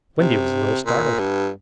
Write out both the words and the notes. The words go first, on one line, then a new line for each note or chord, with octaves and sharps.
Wendy was a little startled.
C3
A#2
G2